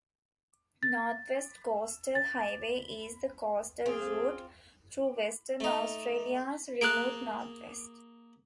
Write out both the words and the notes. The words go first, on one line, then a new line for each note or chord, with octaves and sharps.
North West Coastal Highway is the coastal route through Western Australia's remote north-west.
A6
A6
C4 F4 G#4
A3 D#4
A#3 G#4 A5 F#6 D7